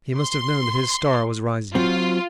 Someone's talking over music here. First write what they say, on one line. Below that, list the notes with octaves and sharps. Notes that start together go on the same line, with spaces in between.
He must have known that his star was rising.
C6
F#3 C4 F4